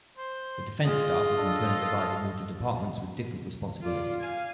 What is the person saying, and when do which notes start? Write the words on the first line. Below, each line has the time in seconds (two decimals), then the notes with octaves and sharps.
The Defence Staff is in turn divided into departments with different responsibilities.
0.18 C5
0.86 G#3 F4 D#5
1.38 D4 A4
3.81 F4 D5
4.21 F5 G#5